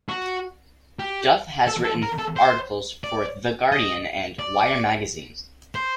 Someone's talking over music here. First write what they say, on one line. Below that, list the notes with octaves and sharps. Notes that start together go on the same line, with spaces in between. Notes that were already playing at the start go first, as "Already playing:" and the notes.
Duff has written articles for "The Guardian" and "Wire Magazine".
F#4
G4
A4
A4
A#4
A4
C5
D5
D#5
D5
C5